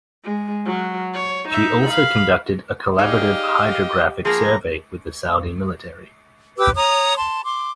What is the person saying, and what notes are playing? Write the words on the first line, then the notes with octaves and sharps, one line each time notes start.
She also conducted a collaborative hydrographic survey with the Saudi military.
G#3
F#3
C#5
D#4 E5
F5 B5
D#4 G4 G#4 D5 D#5 F5
F3 A#3 B3 G#4 A#5
G4 B4 D6 E6
C#5 A#5 D#6
A5 C6
C6 D6